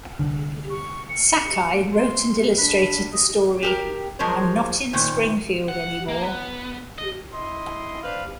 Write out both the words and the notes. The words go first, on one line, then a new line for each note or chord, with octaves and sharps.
Sakai wrote and illustrated the story I'm Not in Springfield Anymore!
C2 D3
C#6
C#7
C6
D4 B5
D#5
G4 A4 A#4
F3 G#3 A#4 C5 C#5
A#2 D#3 C5
F#5
A#3
B3
D#5
E4 D#5 C6
D4 B4 C5 F5